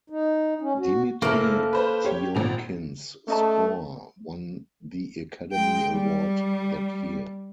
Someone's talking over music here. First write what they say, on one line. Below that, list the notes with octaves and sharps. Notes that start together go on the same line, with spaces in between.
Dimitri Tiomkin's score won the Academy Award that year.
D#4
C#4
F#4
F#1 A#3 E4 A4 F6
B4 C5
G4 C#5
G#1 A#2 F7
A3 C#4 D#5 A5
G#3 G5
G3